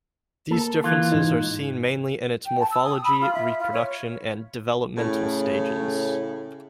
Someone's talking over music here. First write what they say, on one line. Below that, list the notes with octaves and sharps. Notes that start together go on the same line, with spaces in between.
These differences are seen mainly in its morphology, reproduction, and developmental stages.
A#3 A4
E3 F4
G#2 D#4
G5
A5
E6
D#6
B5
F4
E5
E5
F4
C#5
A2 C#3